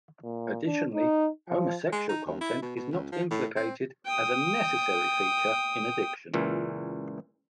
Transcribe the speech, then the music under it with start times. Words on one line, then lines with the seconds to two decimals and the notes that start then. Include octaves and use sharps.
Additionally, homosexual content is not implicated as a necessary feature in addiction.
0.23 A#2
0.65 D4
0.94 D#4
1.49 F3
1.92 G#3
2.09 D#4
2.26 D#2
2.41 E4
2.62 B2
2.77 B2
2.92 C#2
3.12 F3
3.31 A2
3.56 C4
4.06 G5 D#6
6.34 C#2 A#2 E3